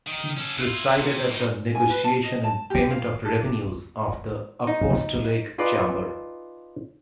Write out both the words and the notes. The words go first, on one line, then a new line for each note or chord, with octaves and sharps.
He presided at the negotiation and payment of revenues of the Apostolic Chamber.
D#3
C#4 A4
E4 F4
C3
A2 D#4
G#5
B4
A5
D#5
A5
G4
F5
A4
D4
D#4
D#4 F4 G#4 B4 D5